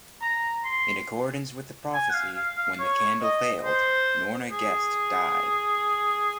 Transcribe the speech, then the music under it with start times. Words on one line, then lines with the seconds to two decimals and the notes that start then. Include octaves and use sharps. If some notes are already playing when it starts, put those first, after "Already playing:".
In accordance with the prophecy, when the candle failed, Norna-Gest died.
0.21 A#5
0.64 C6
1.94 G#5
2.10 F#5
2.14 F5
2.36 F5
2.57 F5
2.79 C#5
3.22 D#5
3.65 C5
4.51 G#4